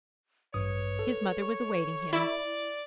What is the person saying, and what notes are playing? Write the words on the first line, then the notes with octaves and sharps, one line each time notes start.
His mother was awaiting him.
A1 G2 B4 C#5 D#6
A4
C#6
E4 D5